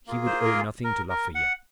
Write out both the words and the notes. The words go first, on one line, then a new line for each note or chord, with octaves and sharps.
He would owe nothing to Lafayette.
A#3 F4 G#4
C5
A#4
A#4
A#4
F#5